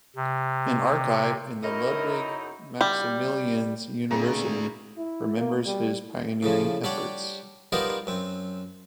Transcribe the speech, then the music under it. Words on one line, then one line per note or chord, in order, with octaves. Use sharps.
An archive in the Ludwig Maximilians University remembers his pioneering efforts.
C3
F#2 D#4 E4 A#4 D#5
G3
A#2 A3 C4 D4 G#4 A#5 B5
E4
A#3
G3
A2 C#3 F3
G3 D4 G4 C#5 F#5
G3 B3 D#4 F4 A#4 C5
F#2 C4